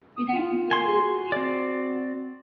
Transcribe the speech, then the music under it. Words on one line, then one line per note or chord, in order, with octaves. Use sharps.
He died fifteen minutes later.
D#6
F4
G#5 C6
F#4
C4 D5